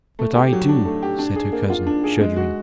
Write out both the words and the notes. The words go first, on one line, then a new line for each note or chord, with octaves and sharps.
'But I do,' said her cousin, shuddering.
A3
G4
F#3
D4
A3
G4
D4
G#4
A#3
F4
D4
G#4
G#3
F#4